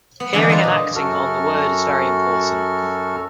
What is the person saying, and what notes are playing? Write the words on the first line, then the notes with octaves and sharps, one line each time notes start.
Hearing and acting on the Word is very important.
B3
D3 E3 G3 G#3 A#3 D4
D#4 F4 B4
A#2
F#2 F#4 A4 F6